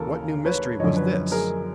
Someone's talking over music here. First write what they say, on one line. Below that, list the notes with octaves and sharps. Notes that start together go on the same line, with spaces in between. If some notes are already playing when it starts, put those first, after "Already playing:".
What new mystery was this?
Already playing: D#2 C#3 E3 A4 A#4
B4 C#5
F#2 D3 F3 C#5 D#5
B4 C#5
G#4 A#4